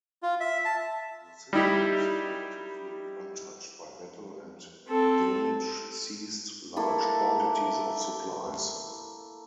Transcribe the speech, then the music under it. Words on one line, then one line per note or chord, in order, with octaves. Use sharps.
The city was relatively untouched by battle and Yudenich seized large quantities of supplies.
F4
E5
A5
G3 D#4 E4 G4
C4 A4
A#3 E4 A4